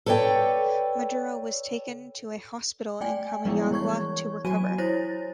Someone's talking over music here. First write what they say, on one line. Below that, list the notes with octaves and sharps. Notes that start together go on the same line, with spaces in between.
Maduro was taken to a hospital in Comayagua to recover.
A4 B4 C#5 D5 G5
A3 D5 G5 G#5
F3 G3 G#3 B3 E4 G#4
E3 C#5 C#6 G#6
F#3 F#4 G#5 D#7
E4 C5 C#5 A6 A#6